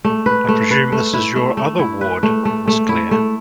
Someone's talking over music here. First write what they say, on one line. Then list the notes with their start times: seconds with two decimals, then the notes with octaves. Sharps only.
I presume this is your other ward, Miss Clare?
0.04 A3
0.26 B4
0.48 A3
0.71 B4
0.92 A3
1.13 E4
1.36 A3
1.57 A3
1.79 E4
2.01 B4
2.23 A3
2.45 A3
2.68 A3
2.89 E4
3.11 A3